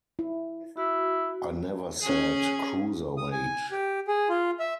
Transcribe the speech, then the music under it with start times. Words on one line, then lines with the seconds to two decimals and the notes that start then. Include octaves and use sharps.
I never said cruiserweight.
0.19 E4
0.77 E4 F#4
2.01 C#4 G#4
3.18 D#6
3.32 G#5
3.71 G4
4.08 G#4
4.29 F4
4.60 E5